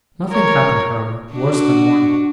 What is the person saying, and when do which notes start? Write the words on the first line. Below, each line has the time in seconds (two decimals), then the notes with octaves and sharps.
Nothing happened, however, worse than morning.
0.29 A#4 C#5
1.33 D4 F#4